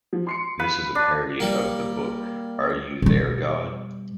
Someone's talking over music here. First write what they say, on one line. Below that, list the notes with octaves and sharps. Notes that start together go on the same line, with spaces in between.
This is a parody of the book Are You There God?
F3
C6 C7 C#7
B4 F5
D4
G3 A#3
B2 G3